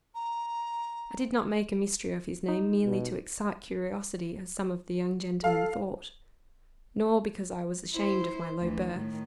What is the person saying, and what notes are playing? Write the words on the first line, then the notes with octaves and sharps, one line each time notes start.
I did not make a mystery of his name merely to excite curiosity, as some of the young gentlemen thought, nor because I was ashamed of my low birth.
A#5
D#4
B2
A4 F5
E4 C5
D2 E3
A2 D#3